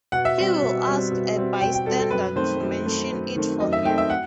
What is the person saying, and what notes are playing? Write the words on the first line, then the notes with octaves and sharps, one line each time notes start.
He will ask a bystander to mention it for him.
B2 F#5
E5
G3 C4
B2
G3 C4
B2
G3 C4
B2 G5
G5
G3 C4 A4
A4
F#2 B4
D#3 A3 C4 C5
F#2
D#3 A3 C4
F#2
D#3 A3 C4
F#2 D#5
E5
D#3 A3 C4 G5
E5
F#5